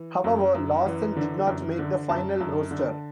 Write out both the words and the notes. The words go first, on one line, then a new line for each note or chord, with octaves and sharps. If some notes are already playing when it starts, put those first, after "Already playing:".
However, Lawson did not make the final roster.
Already playing: E3
F#2
F#2
E3
D3
F#2
D3
F#2 A5
F#2
D3